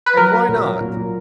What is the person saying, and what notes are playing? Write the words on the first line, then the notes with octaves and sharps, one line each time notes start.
"And why not?"
B4
F#3 A#4
F#3
A#2
F#3
A#2
A#2